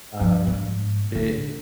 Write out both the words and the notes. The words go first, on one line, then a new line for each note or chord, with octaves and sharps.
um, Bi
D2 F3
G#2
D3